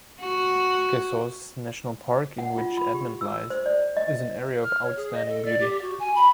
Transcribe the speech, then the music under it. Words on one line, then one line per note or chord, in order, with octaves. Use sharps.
Gesause National Park, in which Admont lies, is an area of outstanding beauty.
F#4
F#5
F4
B5
G4
E6
C5
D5
D#5
F6
C#5
G#4
D#5
A4
D5
G4
F#4
G#5
B5